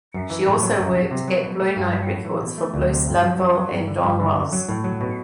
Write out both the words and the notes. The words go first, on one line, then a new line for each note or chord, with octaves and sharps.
She also worked at Blue Note Records for Bruce Lundvall and Don Was.
F#2
E3
A2
F#3
F#2
F#3
C3
F#3
B2
A3
G2
F#3
A2
E3
B2
A3
D2
C3
G2
F#3
F#2
F#3
G2
D3
G2
D3
F#2
F#3
A2
F#3
B2